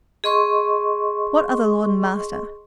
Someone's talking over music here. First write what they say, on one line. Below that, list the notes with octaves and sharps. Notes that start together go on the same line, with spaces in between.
What other lord and master?
G#4 D#5 C6 C#6